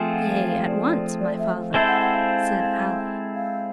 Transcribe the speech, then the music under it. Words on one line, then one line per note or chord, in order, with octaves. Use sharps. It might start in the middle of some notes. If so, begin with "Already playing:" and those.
"Yea, at once, my father," said Ali.
Already playing: F3 A3 C4 F4 G#4
F#5
F5
F5
D5
D5
E5
G#3 C4 E4 A4 C5 E5
F#5
F#5
F5
F5